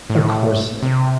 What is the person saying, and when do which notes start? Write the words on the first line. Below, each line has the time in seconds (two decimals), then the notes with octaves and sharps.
Of course, yea
0.10 A2
0.83 C3